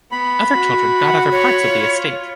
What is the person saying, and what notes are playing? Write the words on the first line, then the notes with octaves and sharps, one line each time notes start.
Other children got other parts of the estate.
B3 B5
F#4
F#5
C#5
F4